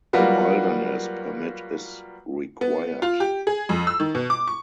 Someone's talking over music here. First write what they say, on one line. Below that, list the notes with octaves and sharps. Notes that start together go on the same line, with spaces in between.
A wilderness permit is required.
F#3 G3 A#3 F4 F#4 B4
B3
F4
G4
G#4
F2
E6
D#3
B2
D6
C#6